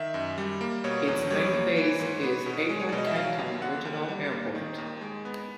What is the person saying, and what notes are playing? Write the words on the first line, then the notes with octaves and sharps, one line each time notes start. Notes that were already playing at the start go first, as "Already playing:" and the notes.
Its main base is Akron-Canton Regional Airport.
Already playing: D#3 E5
F#2
G3
A#3
B2 C#5
E2
G3 C#5
A#3
E3
G#2
B3
B2
G#3
C#5
B2 D5
D#5
E5
F#3 F5
D#2
D3 F#5
D#2
G3
A#3
D#3
D#2
G#3
B3